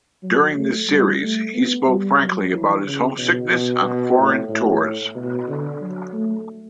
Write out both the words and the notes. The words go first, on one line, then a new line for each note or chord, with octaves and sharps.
During this series, he spoke frankly about his homesickness on foreign tours.
F#3
A3
G3
A3
B3
G3
F#3
E3
C#3
B2
B2
B2
A2
A2
B2
D3
F#3
A3